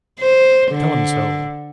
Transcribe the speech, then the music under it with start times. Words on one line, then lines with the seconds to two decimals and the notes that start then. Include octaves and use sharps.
Tell him so.
0.20 C5
0.71 D3